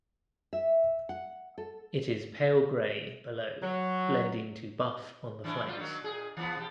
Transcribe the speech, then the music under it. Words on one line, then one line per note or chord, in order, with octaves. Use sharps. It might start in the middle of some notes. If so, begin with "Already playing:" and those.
It is pale gray below blending to buff on the flanks.
E5
F#5
A4
F#3
E3 F#3 D4
F#3 G3 F4
D#3 F#3 A#3
A#2 G#4
E3 F3 B3
B2 G4